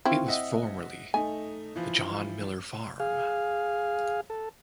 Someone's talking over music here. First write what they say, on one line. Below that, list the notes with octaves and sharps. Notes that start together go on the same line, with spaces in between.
It was formerly the John Miller Farm.
C4 E4 F4 C6 C#6
D#5 E5 F#5
A3 D#4 G#5
E3 F3
G#4 F5
A4